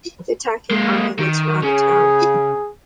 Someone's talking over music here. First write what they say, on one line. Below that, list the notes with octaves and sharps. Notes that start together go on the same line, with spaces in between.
The attacking army would surround a town.
G#3 A#3
D#3
C#3 G#4